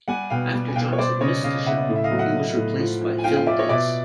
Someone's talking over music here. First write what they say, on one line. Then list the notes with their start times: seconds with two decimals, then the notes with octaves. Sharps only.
After Johnson missed a show, he was replaced by Phil Dix.
0.08 G3 F#5 G#5
0.30 B2 F5 G5
0.53 G3
0.68 G#5
0.76 B2 F5 G5
0.93 C#5
0.99 G3 C5 D5
1.21 C#3 C#5 D#5
1.43 C#3 D#5 F5
1.66 C#3 E5 F#5
1.89 A2
1.96 E5
2.04 D#5 F5
2.11 F#3
2.19 E5 F#5
2.34 A2
2.56 A2
2.80 F3
3.01 F3
3.18 G#5
3.24 F3 F5 G5
3.36 F5 G5
3.46 F3 D5 E5
3.58 C#5 D#5
3.69 B2 D5 E5